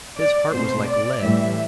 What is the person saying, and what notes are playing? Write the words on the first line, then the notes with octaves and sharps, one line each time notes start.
His heart was like lead.
D5
B2 A3 C4 C5
D5
A2 E3 G3 E5